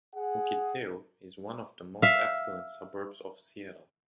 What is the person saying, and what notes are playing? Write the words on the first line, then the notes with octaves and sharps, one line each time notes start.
Mukilteo is one of the most affluent suburbs of Seattle.
G#4 F#5
E5 F5